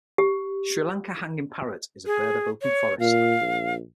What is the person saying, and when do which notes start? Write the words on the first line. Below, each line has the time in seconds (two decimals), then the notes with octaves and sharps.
Sri Lanka hanging parrot is a bird of open forest.
0.18 G4
2.06 G#4
2.62 C#5
3.00 A#2 F5
3.41 A#1